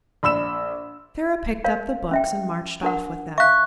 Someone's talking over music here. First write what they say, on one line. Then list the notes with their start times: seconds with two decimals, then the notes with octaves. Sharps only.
Sara picked up the books and marched off with them.
0.23 A#1 B5 E6 E7
1.64 A#4 C#5 F5
2.11 C#4 E5 G5
2.83 D4 A#4 F#5
3.38 E5 F5 C#6 F#6